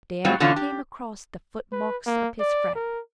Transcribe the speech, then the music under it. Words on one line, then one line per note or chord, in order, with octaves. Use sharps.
There he came across the footmarks of his friend.
G#2 F#3 G3 C4 F4
B2 D3 E3 A3 C#4 F4
G4
B4
A#3
D5
A#4